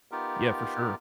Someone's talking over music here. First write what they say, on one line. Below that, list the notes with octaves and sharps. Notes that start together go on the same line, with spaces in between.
Yeah, for sure.
B3 D#4 F4 G4 A#4